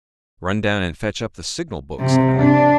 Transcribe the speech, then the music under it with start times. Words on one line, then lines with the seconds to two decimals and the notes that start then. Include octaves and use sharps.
"Run down and fetch up the signal-book," said I.
2.00 C3
2.40 D4